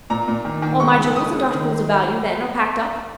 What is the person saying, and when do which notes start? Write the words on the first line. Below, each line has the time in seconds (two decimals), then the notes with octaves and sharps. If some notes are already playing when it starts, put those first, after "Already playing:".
"All my jewels and articles of value, then, are packed up?"
0.10 A#2 A#5
0.28 A#2
0.45 D#3
0.62 D#3
0.80 C#2 C#6
0.99 C#2
1.15 C#2 D#6
1.33 C#3
1.51 D#3